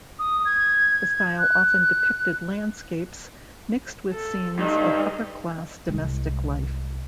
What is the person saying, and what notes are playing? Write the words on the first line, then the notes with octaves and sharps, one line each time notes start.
The style often depicted landscapes mixed with scenes of upper-class domestic life.
D#6
G#6
F#6
A4
G2 D#4
C2 G#3